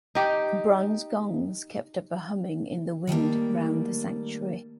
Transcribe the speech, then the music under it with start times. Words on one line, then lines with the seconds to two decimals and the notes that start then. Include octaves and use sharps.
The bronze gongs kept up a humming in the wind round the sanctuary.
0.15 D#4 G4
3.07 D#3 G3 A3 A#3